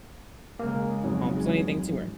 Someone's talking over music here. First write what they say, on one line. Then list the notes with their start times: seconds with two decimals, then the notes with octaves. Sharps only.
Um, so anything to her.
0.59 C#3 G#3 A#3
1.03 F2 G#2 F#3